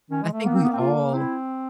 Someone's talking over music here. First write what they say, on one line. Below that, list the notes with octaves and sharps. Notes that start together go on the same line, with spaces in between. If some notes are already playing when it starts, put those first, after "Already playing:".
I think we all
D#3 C#4
G#3
A3
A#3 B3
C4
B3
C4
F4
C4 E4